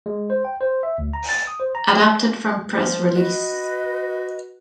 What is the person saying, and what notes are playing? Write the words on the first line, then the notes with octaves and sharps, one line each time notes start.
Adapted from press release.
G#3
C5
G5
C5
E5
D2
A#5
A6
D#6
C5
A#5
F3
F#4 B4 D#5